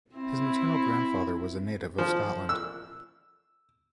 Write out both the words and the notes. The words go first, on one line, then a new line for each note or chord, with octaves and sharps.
His maternal grandfather was a native of Scotland.
C4 E4
F3
E6